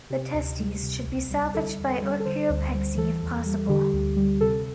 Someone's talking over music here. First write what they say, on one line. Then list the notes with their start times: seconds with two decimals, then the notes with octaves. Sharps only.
The testes should be salvaged by orchiopexy if possible.
0.10 C3 G4
0.34 D2
0.59 G3
0.83 C3
1.06 C2
1.30 G3
1.54 D3 A4
1.78 E2
2.02 G3
2.20 A4
2.25 D3 C5
2.50 D2
2.74 G3
2.97 E3 A4
3.22 E2
3.46 G3
3.69 D3 G4
3.93 D2
4.17 G3
4.41 C3 A4